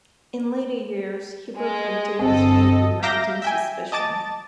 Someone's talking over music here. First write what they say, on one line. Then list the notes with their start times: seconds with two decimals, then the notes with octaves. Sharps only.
In later years Hebrew printing was viewed with mounting suspicion.
1.57 G#3
2.21 G1 C4 A4 D#5
3.03 E5 F5 A#5 D6 G6 A#6
3.42 E5 G5 G#5
3.92 D#5 A5 D6 A6